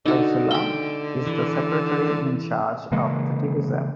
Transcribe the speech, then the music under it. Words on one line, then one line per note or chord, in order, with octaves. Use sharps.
Faizullah is the Secretary in charge of the division.
D3 D#4 F#4
G5 B5
E3
C#3 E3 G#3 A#3